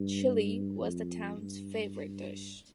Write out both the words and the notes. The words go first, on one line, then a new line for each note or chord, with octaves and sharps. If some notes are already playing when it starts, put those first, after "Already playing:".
Chili was the town's favorite dish.
Already playing: G2
F2
G2